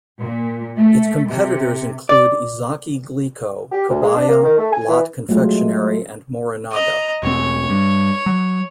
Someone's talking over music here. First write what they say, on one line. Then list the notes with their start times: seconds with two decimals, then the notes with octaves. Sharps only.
Its competitors include Ezaki Glico, Kabaya, Lotte Confectionery and Morinaga.
0.19 A#2
0.77 A3
1.29 C3
2.09 D5
3.72 G4
3.89 D2
4.03 G#3
4.16 D4
4.29 A#3
4.44 D#3
4.58 A3
4.72 G#5
4.88 E3
5.29 F#3 G#3 A3 F4
6.71 D#5 A#5
7.23 E1 C4 C#5
7.70 G2
8.26 F#3